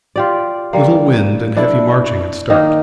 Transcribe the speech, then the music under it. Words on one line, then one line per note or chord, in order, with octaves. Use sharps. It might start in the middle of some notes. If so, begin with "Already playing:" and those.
Little wind and heavy marching at start.
F4 G4 D5
G3 A#3
D4 E4 A4
D#3 A#3 D#4 A#4